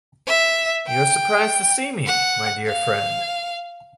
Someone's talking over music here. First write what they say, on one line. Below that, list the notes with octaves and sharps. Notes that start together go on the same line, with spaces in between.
You're surprised to see me, my dear friend.
E5
G5
F#5
F5